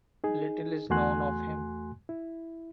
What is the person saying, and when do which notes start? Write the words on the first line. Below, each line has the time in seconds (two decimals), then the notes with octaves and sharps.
Little is known of him.
0.24 D#4 G#4
0.90 E2 A3 F#4 G#5 C6 F#6
2.09 E4